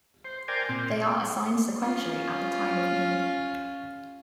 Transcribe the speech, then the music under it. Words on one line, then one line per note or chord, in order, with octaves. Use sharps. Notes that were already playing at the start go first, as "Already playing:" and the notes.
They are assigned sequentially at the time of need.
C5
A#4 C5 D5 G5 G#5
A#2 C4
C#4 F4